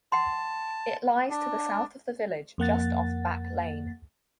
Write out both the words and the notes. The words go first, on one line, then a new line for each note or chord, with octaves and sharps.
It lies to the south of the village just off Back Lane.
F#5 A5 C6
D4
F2 A#3 F#5 A6